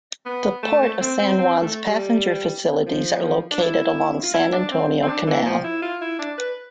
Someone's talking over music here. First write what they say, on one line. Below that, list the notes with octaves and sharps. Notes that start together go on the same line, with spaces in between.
The Port of San Juan's passenger facilities are located along San Antonio Canal.
B3
A3
A3
C4
C4
C4
A3
G3
F3
D4
E4
F4
E4
D4
C4
C4
D4
E3
F3
E4
F4
E4
D4
B4